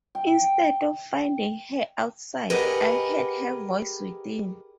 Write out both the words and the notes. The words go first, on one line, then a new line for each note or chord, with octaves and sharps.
Instead of finding her outside, I heard her voice within.
G5
G4 G#4 A#4 B4 D#5 F#5